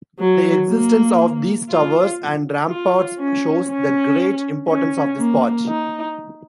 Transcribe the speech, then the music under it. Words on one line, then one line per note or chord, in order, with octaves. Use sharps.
The existence of these towers and ramparts shows the great importance of this part.
F#3
A#3
F4
F4
C#4
C#4
C#4
A#3
D#4